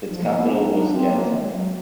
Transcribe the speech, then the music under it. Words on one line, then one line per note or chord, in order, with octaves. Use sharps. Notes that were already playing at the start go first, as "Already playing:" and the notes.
Its capital was Ganzak.
F3
A#3
B3
D4
D#4
D4
C4
A#3
G#3
F#3